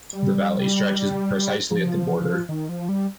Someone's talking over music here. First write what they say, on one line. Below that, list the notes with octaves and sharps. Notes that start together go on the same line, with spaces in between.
The valley stretches precisely at the border.
G3
F3
D#3
F3
G3